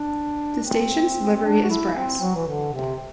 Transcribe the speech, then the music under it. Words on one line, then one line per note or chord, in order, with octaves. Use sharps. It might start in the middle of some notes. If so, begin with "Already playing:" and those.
The station's livery is brass.
Already playing: D4
C4
D4
F#4
E4
C4
F#3
E3
D3
C3